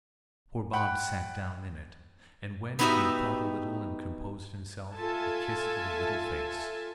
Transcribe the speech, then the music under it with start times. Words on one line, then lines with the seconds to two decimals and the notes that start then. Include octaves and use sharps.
Poor Bob sat down in it, and when he had thought a little and composed himself, he kissed the little face.
0.73 F#5 G5 B5 F#6
2.79 B3 D#4 E4 F#4 G4 E5
4.95 F4 A4 E5 G#5 A5